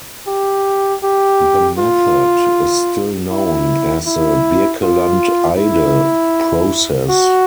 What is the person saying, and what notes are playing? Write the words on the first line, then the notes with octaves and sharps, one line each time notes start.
The method is still known as the Birkeland-Eyde process.
G4
G4
F4
E4
E4
F4
E4
F#4